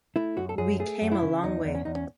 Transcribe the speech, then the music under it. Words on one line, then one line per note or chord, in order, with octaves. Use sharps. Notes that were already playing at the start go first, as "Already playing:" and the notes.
We came a long way.
A3 E4
F#2 F#4
A4
F#2 G#4
A3 G#4
F#2
E4
C#3
E2 D#4
E2
C#4
E2 D#4
C#4